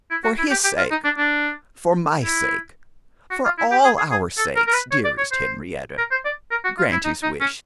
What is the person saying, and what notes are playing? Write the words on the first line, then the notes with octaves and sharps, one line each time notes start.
For his sake, for my sake, for all our sakes, dearest Henrietta, grant his wish.
E4
F#4
E4
G4
G4
F4
D#4
D4
D4
E4
F#4
F4
E4
G4
G#4
G#4
G#4
A4
A#4
A#4
B4
C#5
D5
C#5
C5
A#4
C5
D5
A#4
F#4
F4
E4
D#4
D#4
C#4